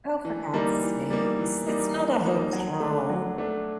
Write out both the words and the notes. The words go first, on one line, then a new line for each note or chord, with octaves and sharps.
Oh, for god's sakes. It's not a hotel.
E3
G3 A#3 D#4
E3
G3 A#3 D#4
E3
G3 A#3 D#4
E3
G3 A#3 D#4
F#3
A3 D4
F#3
A3 D4